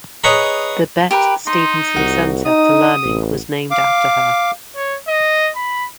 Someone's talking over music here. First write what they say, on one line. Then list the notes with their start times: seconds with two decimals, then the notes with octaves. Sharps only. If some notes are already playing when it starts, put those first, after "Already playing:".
The "Bette Stephenson Centre for Learning" was named after her.
0.24 G#4 B4 C#5 D#5 A#5 B5
1.11 G4 A#4 B4
1.47 D#4 C6
1.96 C2 F#4
2.45 D#4 D#6
3.05 A1
3.71 F5 D6
4.76 C#5
5.08 D#5
5.56 B5